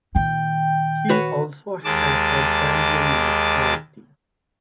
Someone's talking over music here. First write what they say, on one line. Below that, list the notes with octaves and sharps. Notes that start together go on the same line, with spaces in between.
He also has a Gambian nationality.
A#2 D#3 G5
F#4 B4 C#5
D#2 G#3 A5 D6